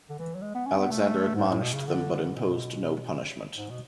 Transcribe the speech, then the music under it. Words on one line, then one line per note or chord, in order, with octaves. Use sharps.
Alexander admonished them but imposed no punishment.
D3
E3
F#3
G#3
B3
C#4
B3
A3
G#2
A2
B2
C#3
D3
D3
B2
G#2
B2